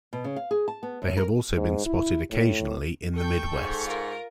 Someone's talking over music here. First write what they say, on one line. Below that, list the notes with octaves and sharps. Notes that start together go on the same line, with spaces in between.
They have also been spotted occasionally in the Midwest.
B2
C#3
F5
G#4
A5
B3
F#2
A#4
G#2
E4
A2
A4 G5 C#6 G6
G#2
F4 A#4